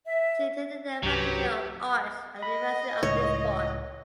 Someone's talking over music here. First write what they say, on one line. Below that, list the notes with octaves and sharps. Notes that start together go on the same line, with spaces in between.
She attended the Faculty of Arts at the University of Lisbon.
E5
C2 G2 F#3 G4 B4
D#5 B5
C#2 A2 C#5